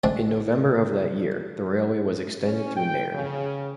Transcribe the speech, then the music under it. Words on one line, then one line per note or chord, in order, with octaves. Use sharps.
In November of that year, the railway was extended through to Nairne.
D3 G#3 A3 C4 D4
C#4
G5
C#3